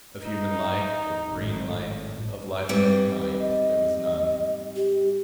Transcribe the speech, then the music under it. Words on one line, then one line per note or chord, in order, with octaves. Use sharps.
Of human life, of green life, of life of any kind there was none.
D#4
G#1 A2
G#2 G3 C4 B4
D#5
G4